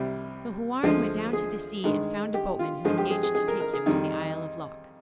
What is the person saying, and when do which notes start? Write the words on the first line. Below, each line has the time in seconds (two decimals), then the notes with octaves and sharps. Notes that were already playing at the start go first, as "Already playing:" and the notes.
So Houarn went down to the sea, and found a boatman who engaged to take him to the isle of Lok.
Already playing: C2 C3 G3
0.83 D2 D3 F3 G#3
1.33 G#4
1.84 G2 D#3 G#3
2.34 G4
2.59 F4
2.85 G2 D3 F3 G#3 G#4
2.98 G4
3.10 G#4
3.23 G#4
3.35 G#4
3.48 A#4
3.60 A#4
3.74 G#4
3.86 F2 D#3 G3